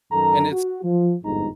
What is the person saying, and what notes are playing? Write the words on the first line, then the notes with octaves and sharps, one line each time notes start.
And it's,
F#2 D#3 A4 A#5
F#4
F3
G1 F2 G#2 D#4 A#5